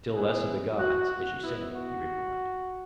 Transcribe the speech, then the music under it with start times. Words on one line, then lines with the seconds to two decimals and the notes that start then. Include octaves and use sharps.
Still less of the gods, as you say, he replied.
0.15 E3 B3 E4 G#4
0.79 F#4
1.43 B2 B3 E4
1.76 F#4